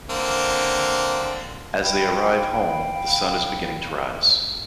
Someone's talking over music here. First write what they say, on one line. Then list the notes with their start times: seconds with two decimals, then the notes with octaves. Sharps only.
As they arrive home, the sun is beginning to rise.
0.10 D3 A#3 C4
1.83 F5 G5 B5